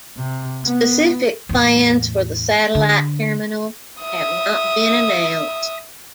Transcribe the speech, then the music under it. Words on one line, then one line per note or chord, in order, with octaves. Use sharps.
Specific plans for the satellite terminal have not been announced.
C3
B3
E2 A2
D3
E5 D#6